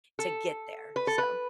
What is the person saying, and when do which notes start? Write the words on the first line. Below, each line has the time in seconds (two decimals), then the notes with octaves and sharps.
to get there, so
0.19 A4
0.96 B4
1.07 A4
1.18 B4